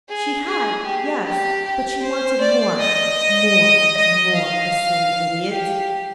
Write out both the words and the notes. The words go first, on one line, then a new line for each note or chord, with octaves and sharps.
'She had, yes: but she wanted more, more, more, the silly idiot.'
G#4
G#4
G4
G4
G4
C5
D5
D#5
D#5
F5
G4